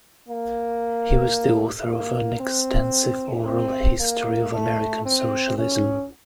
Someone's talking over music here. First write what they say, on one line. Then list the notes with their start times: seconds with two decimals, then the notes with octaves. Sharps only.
He was the author of an extensive oral history of American socialism.
0.29 A#3
1.87 A#3
2.40 C4
3.46 C4
4.00 A#3
4.53 A3
5.06 C4
5.58 C#4